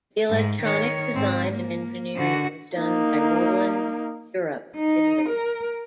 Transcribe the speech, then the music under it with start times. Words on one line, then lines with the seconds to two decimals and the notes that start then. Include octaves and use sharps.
The electronic design and engineering was done by Roland Europe, Italy.
0.29 G#2
0.62 D#3 C#5
1.14 G#2 C4
1.52 A#3
2.16 D3 F#4
2.76 A#3 D#4
4.77 D#4
5.29 A#4